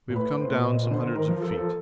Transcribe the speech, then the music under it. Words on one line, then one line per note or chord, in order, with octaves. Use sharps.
We have come down some hundreds of feet.
A#2
A2 B4
A2 C5
A#2
D#5
D3 C5
D#3
A#4
F3
A4
F3 A#4
A4